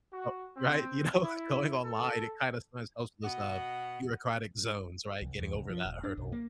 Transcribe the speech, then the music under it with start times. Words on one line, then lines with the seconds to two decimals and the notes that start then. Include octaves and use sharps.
oh Right, you know, going online, it kind of sometimes helps with those, uh, bureaucratic zones, right? Getting over that hurdle.
0.12 F#4
0.56 C4
1.22 E4
1.83 A4
3.23 B2 D#5 F#5
5.22 C2
5.39 E2
5.54 C2
5.69 F3
5.85 D#1
6.03 D4
6.17 B1
6.32 A#3